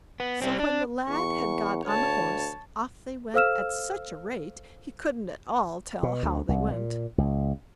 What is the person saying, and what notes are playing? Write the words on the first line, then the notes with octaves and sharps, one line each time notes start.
So when the lad had got on the horse, off they went at such a rate, he couldn't at all tell how they went.
B3
G3 C4
D4
E2 C#6
D2 C#5 A5
A4 C5 F5 E6 F6 E7
B2
D2
C2
A#2
C#2